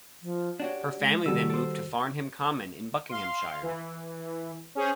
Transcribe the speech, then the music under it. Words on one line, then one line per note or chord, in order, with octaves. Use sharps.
Her family then moved to Farnham Common in Buckinghamshire.
F3
D4 F#4 G4 C#5
G#3
C2 D#3 G3 F#4 A4 E6
A4 C5
F5 C6
E3
C#4 G#4 C5 C#5